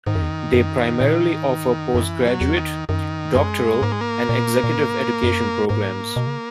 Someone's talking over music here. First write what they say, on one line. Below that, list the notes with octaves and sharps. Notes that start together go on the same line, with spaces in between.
They primarily offer postgraduate, doctoral and executive education programmes.
G#2 D#3
F#2
E2
F#2
F#2
A#2
G#2
F#2
F#2 E3
F#3
E2
D#3
F#2 D#3
F#2 G#3
G#2 A#3
G#3
A#3
A#2
A#2
G#2
F#2
G#2 A#3
B2
C#3